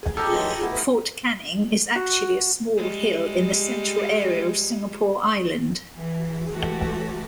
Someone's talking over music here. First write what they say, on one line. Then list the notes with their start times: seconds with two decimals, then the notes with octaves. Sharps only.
Fort Canning is actually a small hill in the Central Area of Singapore Island.
0.17 F2 D#4 G4 A4 F6
0.32 E3 F#3 G#3 D#4
0.61 A3 B3 E4
1.96 F#4
2.78 G3 G#3
5.96 E3
6.53 E3 G#3 A3 F#4 G4 A4